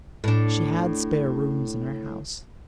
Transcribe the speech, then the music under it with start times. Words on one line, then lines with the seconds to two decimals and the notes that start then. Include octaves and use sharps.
She had spare rooms in her house.
0.24 A2 D4